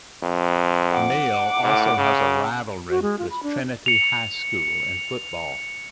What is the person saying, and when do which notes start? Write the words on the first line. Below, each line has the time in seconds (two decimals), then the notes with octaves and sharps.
Male also has a rivalry with Trinity High School in football.
0.23 F2
0.92 F#5 D6
1.64 A2
1.98 C#3
2.89 F#4
3.02 G#3
3.19 F4
3.30 B5
3.43 D4
3.86 C#7 F7